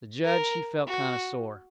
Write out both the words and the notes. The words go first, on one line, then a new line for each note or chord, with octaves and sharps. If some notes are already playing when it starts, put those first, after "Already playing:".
The judge he felt kind of sore.
A#4
F#4